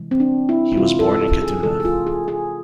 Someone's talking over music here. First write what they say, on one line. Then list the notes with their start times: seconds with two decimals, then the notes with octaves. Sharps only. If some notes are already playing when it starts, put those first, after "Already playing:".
He was born in Kaduna.
Already playing: C3 E3 G#3
0.11 C4
0.20 D4
0.49 E4
0.72 E4
0.77 C3 E3 G#3 F4
0.99 A4
1.21 A4
1.42 G#4
1.63 C3 E3 G#3 A4
1.80 G#4
1.85 F4
2.07 G#4
2.28 G#4